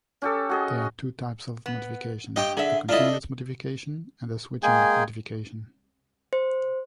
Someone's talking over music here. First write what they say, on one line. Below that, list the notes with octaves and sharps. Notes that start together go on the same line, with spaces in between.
There are two types of modifications: the continuous modification and the switching modification.
C#4 G4 A4
F#4 G#4 D#5
B3
G2 G4 D#5 G5
D3 G#4 E5
D4 E4 F4 A4 D#5
G#3 A#3 G#4 G5 G#5
C5